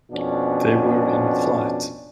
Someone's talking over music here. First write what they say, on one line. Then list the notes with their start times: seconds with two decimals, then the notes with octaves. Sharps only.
They were in flight!
0.11 F2 B2 C#4 D4